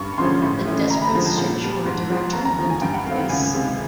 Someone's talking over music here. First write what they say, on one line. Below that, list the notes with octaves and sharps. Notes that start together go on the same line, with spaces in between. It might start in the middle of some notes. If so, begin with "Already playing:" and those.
The desperate search for a director then took place.
Already playing: G2 C#6
C#6
D3 F3 G#3 C#4 C6
A2
E3 A3 C#4
D2 A#5
B5
D3 F3 G#3 A#5
A5
A#2
G3 B3
G#2
F3 G#3
D#2 A#5
A#5
D3 F3
G#5
G2 G5
F#5
D#3 F#3 A3 C4 F5
F#5
C#2 G#5
C3 D#3 G#3